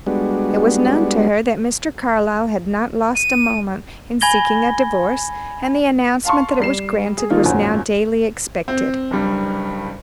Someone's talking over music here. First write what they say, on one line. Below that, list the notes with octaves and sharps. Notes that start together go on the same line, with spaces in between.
It was known to her that Mr. Carlyle had not lost a moment in seeking a divorce and the announcement that it was granted was now daily expected.
G3 G#3 B3 D4 F#4
D#7
G#5 B5 G#6 A#6 G7
F5 A5 C6 C#6
G3 C7 E7
G#4
D#3 F3 A#3 D#4 F4
G#1 F#2 A#2
C4
F#1 G2 G3